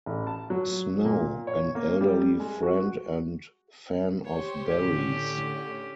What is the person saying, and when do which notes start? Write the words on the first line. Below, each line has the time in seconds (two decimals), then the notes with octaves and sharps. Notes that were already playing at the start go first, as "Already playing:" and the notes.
Snow, an elderly friend and fan of Barrie's.
0.06 A1
0.27 A5
0.50 F#3
1.05 A#2
1.47 C#5
1.75 A#3
2.01 G3
2.40 G#3
2.63 F#4
4.23 G4 C5 C#5 C6
4.64 A2 D3 C#4 G4